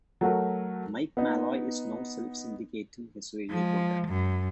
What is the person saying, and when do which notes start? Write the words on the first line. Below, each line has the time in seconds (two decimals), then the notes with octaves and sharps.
Mike Malloy is now self-syndicating his radio program.
0.21 F#3 A3 F#4 A#4
1.17 B3 D#4
3.50 F3 G#3
4.08 F#2